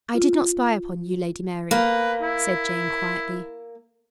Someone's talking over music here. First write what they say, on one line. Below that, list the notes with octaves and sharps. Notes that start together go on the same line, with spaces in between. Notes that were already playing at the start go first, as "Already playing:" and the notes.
"I did not spy upon you, Lady Mary," said Jane quietly.
F4
A#3 B4
E4